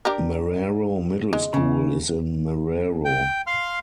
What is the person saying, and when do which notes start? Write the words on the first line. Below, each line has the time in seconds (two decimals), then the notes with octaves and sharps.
Marrero Middle School is in Marrero.
0.05 D4 G4 A#4
1.33 G#3
1.54 C#3
3.05 G5
3.47 F5 C6 F6